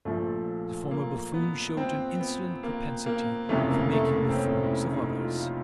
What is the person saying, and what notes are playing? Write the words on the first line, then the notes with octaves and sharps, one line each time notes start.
The former buffoon showed an insolent propensity for making buffoons of others.
A#1 A#2 F3 A3
A#3
B3
C4
B3
A#3
A#3
F1 F2 C#3 E3 A3
A#3
A3
A#3
C4
C#4
E4
D#4
F4